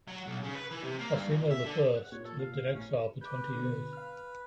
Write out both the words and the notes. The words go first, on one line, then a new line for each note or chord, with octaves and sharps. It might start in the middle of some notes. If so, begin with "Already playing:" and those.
Arsinoe the First lived in exile for twenty years.
F#3
B1
C#3
B4
E3
C3
A#3
G2
A#2
E5
D3
F#5
A#2 C#5
A4
F5
A1 A2 C#4
B4 D6 G6
B2 D3
F5 F6